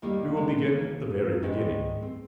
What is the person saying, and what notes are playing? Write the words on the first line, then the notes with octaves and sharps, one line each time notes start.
We will begin at the very beginning.
D#2 D#3 G3 A#3
G#3
A#3
G#2 D#3 G3 G#3 C4
C4